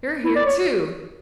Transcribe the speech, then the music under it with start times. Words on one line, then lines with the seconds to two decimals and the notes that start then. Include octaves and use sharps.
You're here, too!
0.24 E4
0.36 D5
0.46 C#5